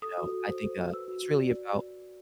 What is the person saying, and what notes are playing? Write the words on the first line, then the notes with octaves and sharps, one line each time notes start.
uh, you know, I think, uh, it's really about,
A4 D#6
F#4
F#4
C5
A4
F#4
B4 E6
F#4
F#4
D5